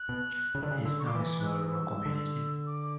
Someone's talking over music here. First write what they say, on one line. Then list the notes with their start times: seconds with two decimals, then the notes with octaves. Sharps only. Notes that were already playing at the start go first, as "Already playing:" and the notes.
It is now a small rural community.
Already playing: F#6
0.09 B2
0.55 C#3
0.63 D3
0.71 C#3
0.85 D3 E6
0.99 C#6
1.05 D6
1.15 E3
1.25 D6
1.40 F#6
1.45 E6
2.06 D3
2.66 D6